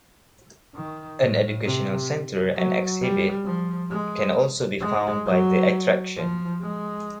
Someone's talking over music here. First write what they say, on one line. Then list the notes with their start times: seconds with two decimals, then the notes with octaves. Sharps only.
An educational centre and exhibit can also be found by the attraction.
0.75 D#3
1.20 A2
1.65 C3
2.54 F#3
3.01 G3
3.45 F3
3.90 G#3
4.80 G#3
5.25 F#3
6.16 F3
6.61 G#3